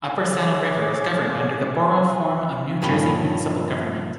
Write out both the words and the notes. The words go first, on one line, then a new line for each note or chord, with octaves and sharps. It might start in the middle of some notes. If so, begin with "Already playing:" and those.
Upper Saddle River is governed under the Borough form of New Jersey municipal government.
G#4 C#5 D6
G#5
G2 A#2 D#3 F3 C#4 B5